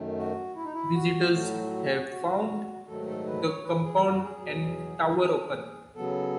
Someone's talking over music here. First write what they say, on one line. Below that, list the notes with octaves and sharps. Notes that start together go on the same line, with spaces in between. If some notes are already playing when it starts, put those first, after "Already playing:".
Visitors have found the compound and tower open.
Already playing: F#2 D#3 A3
F#4
E4
D#4
E4
F#4
A2 F#3 A3 F#4
F#4
G#2 D#3 F#3 A3 A4
A4
B4
C#5
B4
G#4
F#4
G#4
E2 B2 F#3
C#3 F#3 B3 A4